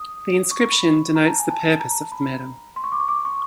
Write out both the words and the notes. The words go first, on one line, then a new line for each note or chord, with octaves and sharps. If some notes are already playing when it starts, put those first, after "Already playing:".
The inscription denotes the purpose of the medal.
Already playing: D#6
C#6
B5
A#5
A5
G#5
A5
A#5
B5
C6
C#6
D6
C#6
D6
C#6